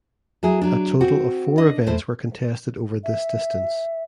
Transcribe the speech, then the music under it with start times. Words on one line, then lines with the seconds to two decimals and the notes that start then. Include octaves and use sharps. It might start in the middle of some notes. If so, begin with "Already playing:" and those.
A total of four events were contested over this distance.
0.43 F#3 E4 G#4
0.61 F#3 D4
1.01 C4 F#4
1.58 D4 D#5
1.87 E2 A3 C5
3.03 E5